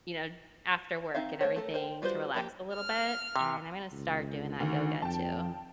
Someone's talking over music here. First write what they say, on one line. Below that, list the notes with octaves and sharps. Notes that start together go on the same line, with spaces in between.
you know, after work and everything to relax a little bit. And I'm gonna start doing that yoga too.
C4 D#4 E5 F5
A3 C5 C#5
A3 A4 A#4
A#4 C5 G5
G3 F4 F#4 B4 C5
F3 A#3 G4 G5 A#5
F6
C3
C#2
D2 D#3
F2 G5 A5